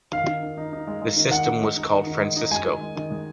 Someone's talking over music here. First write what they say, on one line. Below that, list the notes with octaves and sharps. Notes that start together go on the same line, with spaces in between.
This system was called Francisco.
D#3 F5
D#3
D#3
D#4
D#4
G#3
G#3
D#3
D#3 F#5
D#3
G#3
D#4
D#3
D#3
G#3
D#4
G#3 G#5
D#3
G#3
D#3
G#3